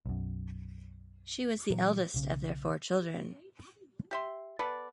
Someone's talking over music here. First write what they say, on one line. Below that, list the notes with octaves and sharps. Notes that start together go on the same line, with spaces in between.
She was the eldest of their four children.
B1 F#2
A#2 E3 F#3
B1 C#3
G4 E5 C6
B3 A4 B4 D5